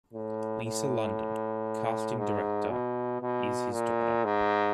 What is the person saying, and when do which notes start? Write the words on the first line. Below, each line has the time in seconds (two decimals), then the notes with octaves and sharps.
Lisa London, casting director is his daughter.
0.13 A2
0.64 A2
2.18 G#2
2.70 B2
3.21 B2
3.73 A#2
4.24 G#2